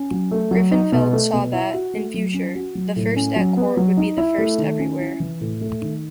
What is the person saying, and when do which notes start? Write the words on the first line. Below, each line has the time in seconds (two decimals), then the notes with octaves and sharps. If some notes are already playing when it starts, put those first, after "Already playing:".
Griffenfeld saw that, in future, the first at court would be the first everywhere.
Already playing: C#4
0.11 F#3
0.31 A3
0.51 F#3
0.71 D#4
0.92 B2
1.13 A3
1.33 B2
1.53 E4
1.74 F#4
1.94 A3
2.14 F#3
2.34 C#4
2.55 F#4
2.75 F#3
2.96 A2
3.16 C#4
3.36 F#3
3.57 B3
3.77 F#3
3.97 D#4
4.18 E4
4.38 A3
4.58 D#3
4.79 C#4
5.00 E4
5.20 E3
5.41 A2
5.61 A3
5.82 D#3